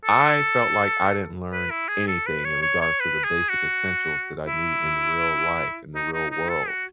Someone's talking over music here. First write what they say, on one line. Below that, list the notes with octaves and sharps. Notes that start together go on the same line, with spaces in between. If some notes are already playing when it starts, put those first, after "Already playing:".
I felt like I didn't learn anything in regards to the basic essentials that I need in real life, in the real world,
A4
B4
E4
G#4
A4
B4
C#5
C#5
C#5
B4
G#4
F#4
E4
D#4
D#4
D#4
A4
F#4